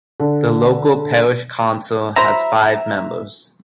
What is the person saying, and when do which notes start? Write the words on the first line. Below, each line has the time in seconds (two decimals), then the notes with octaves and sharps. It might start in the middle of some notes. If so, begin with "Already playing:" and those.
The local Parish Council has five members.
0.20 D3
2.16 F#3 E4 C5 E5 A#5 B5